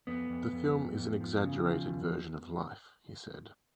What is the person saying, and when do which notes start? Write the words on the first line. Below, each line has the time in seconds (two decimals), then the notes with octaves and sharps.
"The film is an exaggerated version of life," he said.
0.07 F2 B3
0.30 F2
0.52 F2
0.75 F2
0.98 F2
1.21 F3
1.44 C#3
1.66 F3
1.88 D#2